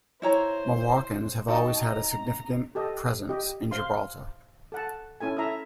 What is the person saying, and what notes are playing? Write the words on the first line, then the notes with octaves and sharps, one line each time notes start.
Moroccans have always had a significant presence in Gibraltar.
E4 C5 C#5 A#5
D#4 F#4 G5 A5
A#5
G4 A4 D#5
G4 D#5
C5 F5 C6
A4 F#5 A5
C#4 E4 A4 G#5
E4 A4 E5 A#5